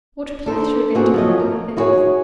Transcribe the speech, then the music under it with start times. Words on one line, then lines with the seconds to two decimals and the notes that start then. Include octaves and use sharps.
What pleasure they took in high things!
0.46 D4 A4 C5
0.95 A#3 C4 D#4 F#4 G#4 A4
1.14 F3 F#3 D#5
1.39 A#4
1.77 D#4 E4 F#4 G#4 A#4 C#5